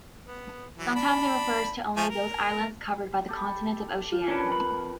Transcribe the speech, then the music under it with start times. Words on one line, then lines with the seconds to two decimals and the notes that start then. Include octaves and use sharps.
Sometimes it refers to only those islands covered by the continent of Oceania.
0.26 B3
0.78 E3 F#3
0.96 D4 B5
1.97 F3 A3 G#5
2.10 A#4
3.28 G4 A4 B5
4.12 F4
4.28 C#4 D4 A#4 B4
4.48 F2 B5